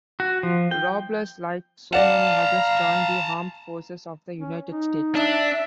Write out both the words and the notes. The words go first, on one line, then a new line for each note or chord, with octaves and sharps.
Robles, like so many others, joined the Armed Forces of the United States.
F#4
F3
G5
D5 F5 F#5 A5 A#5
C#4
D#4
D4 E5